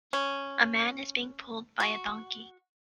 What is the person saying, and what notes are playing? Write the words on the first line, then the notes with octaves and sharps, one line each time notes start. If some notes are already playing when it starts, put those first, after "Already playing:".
A man is being pulled by a donkey.
C#4
F#4